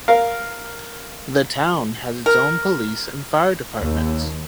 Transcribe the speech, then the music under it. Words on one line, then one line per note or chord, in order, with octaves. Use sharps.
The town has its own police and fire departments.
A#4 F5
A#4
D#2